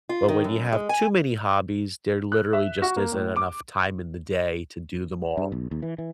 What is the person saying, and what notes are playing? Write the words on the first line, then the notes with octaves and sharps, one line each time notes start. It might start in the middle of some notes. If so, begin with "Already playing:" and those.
But when you have too many hobbies, there literally just isn't enough time in the day to do them all.
F4
D#3
F#2
G#3
G#5
F#6
E5
F#4
A#3
A2
D6
G2
B1
D#2
E3
E3